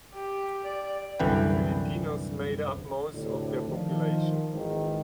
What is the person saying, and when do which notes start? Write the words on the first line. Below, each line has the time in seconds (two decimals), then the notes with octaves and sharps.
Filipinos made up most of their population.
0.14 G4
0.64 D5
1.19 C2 F#2 D3 E3 B4 G5
3.12 D2 A2 C3 D4
3.67 D#3 F3
4.52 G#1 G#2 D#3 E3